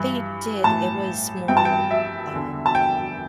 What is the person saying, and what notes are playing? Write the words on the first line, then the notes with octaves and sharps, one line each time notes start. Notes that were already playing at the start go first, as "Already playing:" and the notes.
They did, it was more, um
Already playing: G2 E3
A2 E3 A5
G2 E3 G5
A5
G5
E5
E2 D3
A5
G5